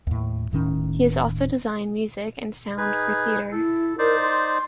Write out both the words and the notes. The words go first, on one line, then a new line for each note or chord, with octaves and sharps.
He has also designed music and sound for theatre.
D#2 A2
D1 A2 D#3 C#4
D#4 G#4 B4
E4 A4
D#4 A#4 C5 D5
C6